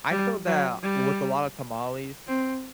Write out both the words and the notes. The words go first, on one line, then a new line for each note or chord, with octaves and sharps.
I feel that, with a lot of tamales,
G3
F#3
G3
C4